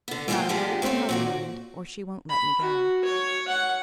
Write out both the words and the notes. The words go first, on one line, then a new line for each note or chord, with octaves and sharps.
Not a word to mother, mind, or she won't let me go.
D3 B3
E3 G#3 A#3 F4 F#5 G5
G#2 F3 G#3 B3 D4 G4
A3 C4 E4 C5 C#5
A#2 F#4 D5
B5
F#4
C#5
F#5